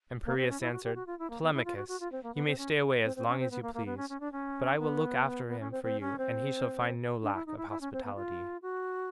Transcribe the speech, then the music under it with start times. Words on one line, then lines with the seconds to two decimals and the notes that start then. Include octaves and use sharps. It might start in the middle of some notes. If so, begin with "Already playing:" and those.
And Piraeus answered, "Telemachus, you may stay away as long as you please, but I will look after him for you, and he shall find no lack of hospitality."
0.26 A#3
0.37 C4
0.49 C#4
0.61 E4
0.72 F#4
0.84 G4
0.95 F#4
1.07 F4
1.19 E4
1.30 A#3
1.42 B3
1.54 E4
1.65 F4
1.77 F#4
1.88 F#4
2.00 F4
2.12 C4
2.23 A#3
2.35 B3
2.47 C4
2.58 C#4
3.05 C4
3.16 C4
3.28 C#4
3.39 C4
3.51 B3
3.63 A#3
3.74 A#3
3.86 B3
3.97 C#4
4.09 C#4
4.20 D4
4.32 C#4
4.79 B3
5.49 B3
5.60 C#4
5.72 C4
5.83 C4
6.00 C#4
6.18 C4
7.23 D4
7.34 E4
7.46 D#4
7.57 E4
7.69 E4
7.81 C#4
7.93 C4
8.04 B3
8.15 F4
8.62 F#4